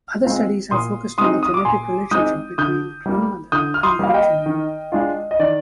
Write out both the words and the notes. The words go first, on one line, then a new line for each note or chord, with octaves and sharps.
Other studies have focused on the genetic relationship between grandmothers and grandchildren.
G#3 C4 F4
A#2 C6 D#6
G#3 C4 D#4 C6 D#6
D#6
D6
A#2 G#5 C6
G#3 C4 D#4 D#6 G6
D3 D#6 G6
G3 A#3
D3 D#6 G6
F6
C6 D#6
G3 A#3 F5
D#5 G5
D#3
G#3 D4 F4
D#5
D#3 D5